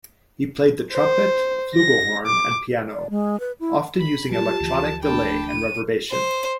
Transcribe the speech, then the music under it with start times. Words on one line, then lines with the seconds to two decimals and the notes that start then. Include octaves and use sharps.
He played the trumpet, flugelhorn, and piano, often using electronic delay and reverberation.
0.93 C5
1.75 A#6
2.26 D6
2.93 D5
3.10 G#3
3.40 B4
3.60 E4
3.99 B5
4.31 F#3 G3 F4 G4 A5
4.60 D2 E3 F3
5.03 A3 D4 G5 A5 B5
5.49 D#7
6.10 C5